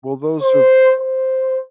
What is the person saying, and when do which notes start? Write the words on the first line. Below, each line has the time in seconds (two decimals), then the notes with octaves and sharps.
Well, those are
0.42 C5
1.00 C5